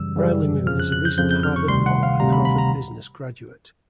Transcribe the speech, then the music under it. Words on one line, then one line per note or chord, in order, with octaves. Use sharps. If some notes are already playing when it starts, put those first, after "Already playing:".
Riley Moon is a recent Harvard Law and Harvard Business graduate.
Already playing: F#2 C#3 E3 G3 E6
F#2 C#3 E3 G3
F2 C#3 F3 F6
F#6
F#6
G6
F2 C#3 F3 G6
G6
F6
C#6
D2 C3 D#3 G3 C6
F#5
F5
D2 C3 D#3 G3 A#5
B5
B5
A#5